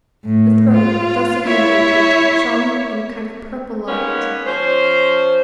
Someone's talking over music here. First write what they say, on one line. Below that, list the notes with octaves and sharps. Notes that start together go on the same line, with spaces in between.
The throne, thus illuminated, shone in a kind of purple light.
A2
F4
E4 C#5 E5
G#3 A#3 B3 C#4 D#4
F3 C#4 C5